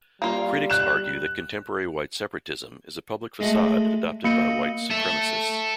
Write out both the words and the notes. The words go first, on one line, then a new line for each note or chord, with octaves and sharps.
Critics argue that contemporary white separatism is a public facade adopted by white supremacists.
G3 A#3 F4
F#6 E7
G#3 A3 F#4
A#3 F#4 D#5 C#7
A4 E5